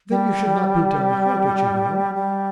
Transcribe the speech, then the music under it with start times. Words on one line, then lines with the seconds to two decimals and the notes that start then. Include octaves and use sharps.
'Then you should not be downhearted, you know.'
0.09 G3
2.14 G3